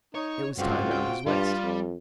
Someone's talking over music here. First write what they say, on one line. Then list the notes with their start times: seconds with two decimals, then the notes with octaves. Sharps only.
It was tied round his waist.
0.15 D#4 C#5
0.58 C#2 G2 C4 F4 F#4
0.91 G5
1.26 G2 G3 F4
1.64 F2